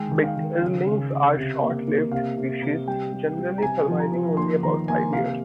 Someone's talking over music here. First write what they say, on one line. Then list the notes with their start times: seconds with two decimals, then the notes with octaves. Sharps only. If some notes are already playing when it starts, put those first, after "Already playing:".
Bitterlings are short-lived species, generally surviving only about five years.
Already playing: D#3 G#3 G5
0.11 D#3
0.24 F5
0.36 D#3
0.62 C#3
0.87 C#3
1.11 C#3
1.37 C3
1.62 A#3
1.87 A#3
2.12 C3 F5
2.37 C3
2.62 C3
2.87 G3 G5
3.12 G3
3.38 G3
3.58 A#5
3.62 C3 G#5
3.88 F3
4.00 A#5
4.12 F3
4.37 A#3 C6
4.63 D#3 A#5
4.88 A#3 G#5
5.13 C3 F5